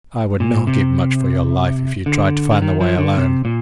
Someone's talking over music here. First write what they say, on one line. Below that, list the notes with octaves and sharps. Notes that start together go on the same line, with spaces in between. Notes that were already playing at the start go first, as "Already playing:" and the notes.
I would not give much for your life if you tried to find the way alone.
A#2
C3
D3
D3
D#3
F3
D3
C3
A#2